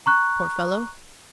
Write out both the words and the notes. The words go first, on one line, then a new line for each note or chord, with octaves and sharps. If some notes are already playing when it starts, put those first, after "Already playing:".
Poor fellow!
A#5 C#6 F#6